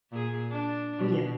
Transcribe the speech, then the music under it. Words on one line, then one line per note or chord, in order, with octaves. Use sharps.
Ooh, yeah.
A#2 G#4
D4
B2